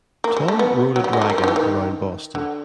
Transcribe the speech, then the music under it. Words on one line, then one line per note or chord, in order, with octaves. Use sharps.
Tom rode a dragon around Boston.
A#3
G#3
A3
B3
F#3
G3
G#3
A3
A#3
F3
D#3
E3
D#3
D3